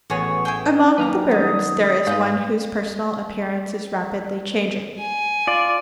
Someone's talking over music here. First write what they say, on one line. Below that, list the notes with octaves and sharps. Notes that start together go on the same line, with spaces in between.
Among the birds there is one whose personal appearance is rapidly changing.
A1 B3 F#4 G#4 C#5
E4 G#4 G5
F#2 D#3 A#3 B4 F5 A#5
B3 D#6
G#2 B4 F5 G6
G#5
F4 D5